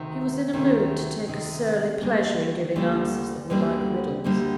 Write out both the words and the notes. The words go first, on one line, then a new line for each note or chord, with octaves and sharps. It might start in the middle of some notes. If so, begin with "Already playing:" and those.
He was in a mood to take a surly pleasure in giving answers that were like riddles.
Already playing: D2 C3 D#3
D2 C3 D#3
D2 C3 D#3
D2 D3 G3 A#3 D4
D2 D3 G3 A#3 D4
D2 D3 G3 A#3 D4
D2 D3 G3 A#3 D4